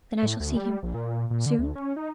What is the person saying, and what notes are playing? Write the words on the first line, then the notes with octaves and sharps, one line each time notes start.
"Then I shall see him ... soon?"
A2
D2
G3
A#1
A#2
A#2
D3
D2
C#4
D#4